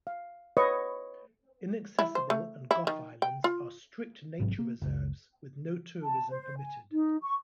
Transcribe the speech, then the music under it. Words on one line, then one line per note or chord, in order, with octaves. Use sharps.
Inaccessible and Gough Islands are strict nature reserves with no tourism permitted.
F5
B4 C#5 D#5 F#5 C#6
E4
C5
A3
E4
D#3
G5
F4
A1 G#2 C3 F#3
A#3
F#1 C#2
A5
C5
G#5
D#4
C#6